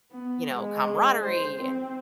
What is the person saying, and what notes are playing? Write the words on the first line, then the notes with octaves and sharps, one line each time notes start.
you know, camaraderie and
B3
G#3
C5
C4